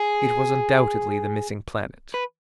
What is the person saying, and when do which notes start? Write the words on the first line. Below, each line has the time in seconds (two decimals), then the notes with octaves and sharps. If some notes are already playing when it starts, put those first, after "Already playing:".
It was undoubtedly the missing planet.
Already playing: G#4
2.14 B4